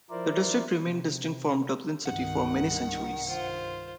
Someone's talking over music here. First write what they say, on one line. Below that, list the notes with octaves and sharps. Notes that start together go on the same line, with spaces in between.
The district remained distinct from Dublin city for many centuries.
F3 E4 A#4 C5 D5
C3
C2 G2 D#3 F#5
F4 C5